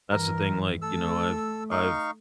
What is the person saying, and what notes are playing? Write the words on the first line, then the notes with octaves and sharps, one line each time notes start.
that's the thing, like, you know, I've I've
G2 E3 A#4
A3 A4 E6
D#4 F5 C#6